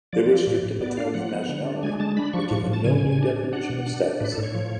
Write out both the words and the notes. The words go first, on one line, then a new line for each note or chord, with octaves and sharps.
They were stripped of Italian nationality but given no new definition of status.
F3 D5
F3
A2
A2
B3 D5
D4 F5
F3 F#5
B3
D3
D4
G#3 G#5
G#3 A5
D4 B5
F3 C#6
A2 C#6
A2
A5
C#3 G#5
C#3
D4
D4
D4 F#5
B2
D4
D4
A2 B4
A4
A2
C#5
F3